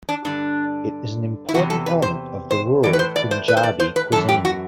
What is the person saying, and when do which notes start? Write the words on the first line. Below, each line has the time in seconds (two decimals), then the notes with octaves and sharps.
It is an important element of the rural Punjabi cuisine.
0.09 D4
0.25 G2 D3 D4
1.49 E4
1.54 E2 C3 E3 F#4
1.70 A4
1.86 B4
2.02 C5
2.51 C5
2.83 A2 E3 D5
2.93 B4
2.99 C5
3.16 D5
3.31 C5
3.48 B4
3.57 C5
3.63 D5
3.80 C5
3.96 B4
4.12 F#2 A4
4.16 E3
4.29 G4
4.45 F#4